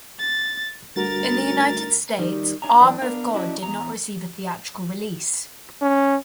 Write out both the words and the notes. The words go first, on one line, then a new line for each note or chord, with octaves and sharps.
In the United States, "Armour of God" did not receive a theatrical release.
A6
D2 G3 A3 F#4 A#4 A6
D#3 G3
D4 C#5 G#5 A#5
F#2 E3 D4
B3 D4 A#4 F5
C#4 D4 E4 F#4 D#5
E2 A#5
C#4